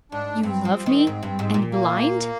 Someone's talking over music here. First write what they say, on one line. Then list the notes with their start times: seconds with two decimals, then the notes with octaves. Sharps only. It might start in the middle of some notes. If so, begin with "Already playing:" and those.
'You love me, and blind?'
0.12 G#2 D4
0.43 G2 C4
0.65 F3
0.86 D#3
1.07 G#2
1.23 G2
1.39 G#2
1.54 A#2
1.71 A#3